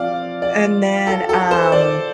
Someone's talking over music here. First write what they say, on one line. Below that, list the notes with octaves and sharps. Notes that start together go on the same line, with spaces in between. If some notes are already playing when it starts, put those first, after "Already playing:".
And then, um,
Already playing: F3 C4 D5 F5
D5
A4
A4
C5
D5